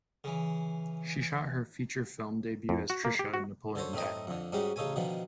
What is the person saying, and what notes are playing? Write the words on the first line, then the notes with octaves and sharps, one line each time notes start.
She shot her feature film debut as Trisha in "Napoleon Dynamite".
C#3 E3
F2
F#4
A#3
G4
F#4
D3 A4 C5 C#5
A2 A3 C4 D#4 D#5
F2 D3
G#2 G3 G#3 C#4 D#4 F#4
A1 C#3 D#4 A4 C#5 G#5
B2 D3 D#3 F3